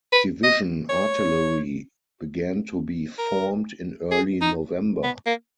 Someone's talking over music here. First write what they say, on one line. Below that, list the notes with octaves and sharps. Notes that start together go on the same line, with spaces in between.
Division artillery began to be formed in early November.
B4
D#5
C#5
A#4
G#4
D#4
B3
A#3